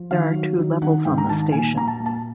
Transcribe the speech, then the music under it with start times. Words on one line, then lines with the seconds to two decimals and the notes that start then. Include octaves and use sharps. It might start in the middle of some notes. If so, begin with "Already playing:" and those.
There are two levels on the station.
Already playing: F3
0.11 D#3 F5
0.35 F#3
0.58 D#3
0.82 D#3 F#5
1.05 G#2 G5
1.18 A#5
1.29 D#3 A5
1.52 A#2 G#5
1.76 A#2 A#5
1.88 A5
2.00 A#2
2.06 A5